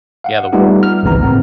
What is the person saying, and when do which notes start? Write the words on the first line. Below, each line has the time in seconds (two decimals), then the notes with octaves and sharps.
Yeah, the worl
0.24 F5 F#5
0.53 G3 A3 B3 D#4 F4 G4
0.83 F6
1.03 G#1 C#2 C#3 E3 B3 A#5
1.22 A2 D#3 B3 C4